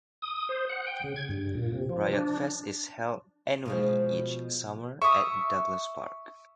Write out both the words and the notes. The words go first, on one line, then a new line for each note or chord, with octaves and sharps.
Riot Fest is held annually each summer at Douglass Park.
D#6
C5
F#5
G5
C#3
G#6
G2
A#2
C3
F3
D4
B2 F3 G#3
E5 C#6 D#6